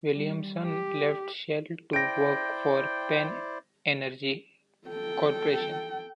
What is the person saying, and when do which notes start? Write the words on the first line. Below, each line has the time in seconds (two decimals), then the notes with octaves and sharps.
Williamson left Shell to work for Pan Energy Corporation.
0.13 G3
0.64 G4
1.93 E4 C5 D5 G5 A#6 D7
4.87 A4 G5